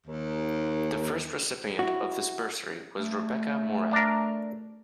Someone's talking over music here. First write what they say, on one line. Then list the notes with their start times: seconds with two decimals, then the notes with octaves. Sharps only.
The first recipient of this bursary was Rebecca Morelle.
0.07 D#2
1.79 E4 F#4
2.97 A3
3.93 D4 A#4